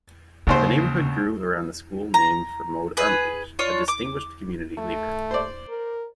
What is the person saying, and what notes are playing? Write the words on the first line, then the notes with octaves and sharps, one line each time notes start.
The neighborhood grew around the school named for Maude Armatage, a distinguished community leader.
G#1 D#2 C#3 C5
A#5
G#4 B4
D4 F4 C#5
D6
A3
C5 D5
A#4